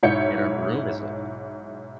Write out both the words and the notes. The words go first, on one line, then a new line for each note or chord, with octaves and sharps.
and her room is a
B1 G#2 E4 C#5 G6 C#7